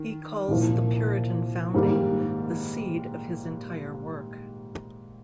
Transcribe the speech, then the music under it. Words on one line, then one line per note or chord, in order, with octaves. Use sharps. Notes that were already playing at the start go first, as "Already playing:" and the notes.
He calls the Puritan Founding the "seed" of his entire work.
Already playing: D#3
C2 A#2 F3 A#3
G#2 D#3 G3 A#3